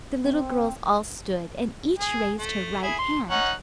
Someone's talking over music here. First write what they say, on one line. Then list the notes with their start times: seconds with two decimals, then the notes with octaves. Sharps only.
The little girls all stood, and each raised her right hand.
0.25 C4
1.98 G#4
2.38 A3
2.83 E4 G#4
2.99 C6
3.30 C#4 D#4 F#5